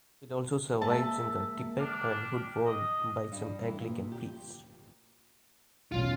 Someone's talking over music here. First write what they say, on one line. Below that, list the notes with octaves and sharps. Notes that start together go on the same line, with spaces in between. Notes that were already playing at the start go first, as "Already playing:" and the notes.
It also survives in the tippet and hood worn by some Anglican priests.
G#3 A#3 A#4 E5 A5
D4 G4 F6
D#5
G2
E3
A#2
G4
E1 B1 C#4 F4